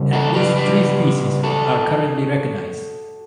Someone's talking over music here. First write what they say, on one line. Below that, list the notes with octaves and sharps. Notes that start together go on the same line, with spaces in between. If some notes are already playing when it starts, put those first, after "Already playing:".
At least three species are currently recognized.
Already playing: C#3 G3
F#4 A4
G4 B4
G4 B4
F#4 A4